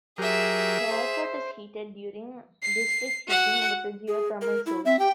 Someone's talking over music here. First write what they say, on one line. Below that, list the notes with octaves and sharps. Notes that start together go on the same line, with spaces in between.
The airport is heated using district heating with a geothermal source.
F#3 G4 G#4 A#4 E5
C5
C7
F#4 F#5
G#4
A#4
E4
C4 E5
G4 G5